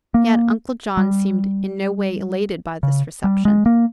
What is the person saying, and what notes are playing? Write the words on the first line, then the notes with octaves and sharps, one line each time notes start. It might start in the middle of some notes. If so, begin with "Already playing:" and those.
Yet Uncle John seemed in no way elated by this reception.
A#3
G3
C#3
G3
G#3
A#3